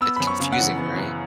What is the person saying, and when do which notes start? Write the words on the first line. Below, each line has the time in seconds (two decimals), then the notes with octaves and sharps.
It's confusing, right?
0.01 B3 E6
0.16 F#2 B5
0.27 C#6
0.40 C#3
0.52 F#5
0.59 E3
0.78 B3
0.96 F#2